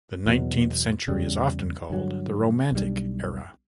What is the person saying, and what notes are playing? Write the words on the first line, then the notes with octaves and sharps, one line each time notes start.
The nineteenth century is often called the Romantic era.
E2 B2 F#3
E2 C#3 G3
G2 D3 F#3
B1 B2 G3 D4